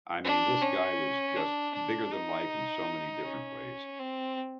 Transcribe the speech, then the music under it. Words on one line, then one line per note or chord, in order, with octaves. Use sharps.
I mean, this guy was just bigger than life in so many different ways.
D4
C#4
D4
D4
D#4
C#4
C4